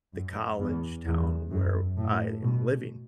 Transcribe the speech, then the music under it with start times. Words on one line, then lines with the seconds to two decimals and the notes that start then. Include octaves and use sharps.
the college town where I am living.
0.13 F#2
0.59 E2
1.05 E2
1.51 F#2
1.97 A2
2.43 B2